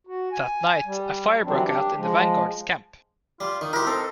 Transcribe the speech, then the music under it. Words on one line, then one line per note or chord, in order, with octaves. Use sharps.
That night, a fire broke out in the vanguard's camp.
F#4
G#5
G3
D#3 E3 F#3 G3 C4 D4
D4 G4
F3 G#3
G3 F4
D#3 D#4
E4 G4 A#4 C6
C4 A4